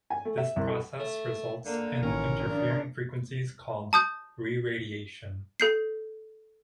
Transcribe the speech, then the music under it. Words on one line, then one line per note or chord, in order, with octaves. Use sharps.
This process results in interfering frequencies called reradiation.
G#5
A3
E5
C2
A4
A3
D3 A#3
A1 D#3 C#4 A#4
C#3 D4
A5 D#6 G6
A4 G6 C7